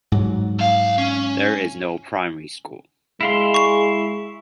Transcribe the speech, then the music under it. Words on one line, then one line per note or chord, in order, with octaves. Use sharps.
There is no primary school.
G#2 F#3
B1 F5
C#4
G#3 E4 F5 C6
C#6